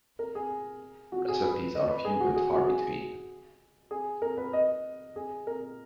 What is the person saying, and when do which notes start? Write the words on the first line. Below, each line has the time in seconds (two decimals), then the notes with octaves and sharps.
Recipes are few and far between.
0.19 A#4
0.35 G#4
1.12 F#4
1.28 G#4
1.43 B4
1.75 D#5
1.90 B4
2.05 G#4
2.20 F#4
2.36 G#4
2.52 F#4
2.67 G#4
3.91 G#4
4.22 A#4
4.37 B4
4.53 D#5
5.16 G#4
5.47 A#4